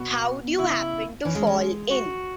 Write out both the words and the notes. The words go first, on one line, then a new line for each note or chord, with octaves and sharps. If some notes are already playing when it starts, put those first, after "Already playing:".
How'd you happen to fall in?
Already playing: B2 F#4
C#3 E4
E3 C#4
G#3
G#3
F#4